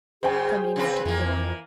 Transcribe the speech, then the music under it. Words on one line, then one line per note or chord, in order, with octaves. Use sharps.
Somebody knocked at the door.
F#2 C#3 G#4 C5 G5 G#5
C#3 C4 B4
F2 E3 A#3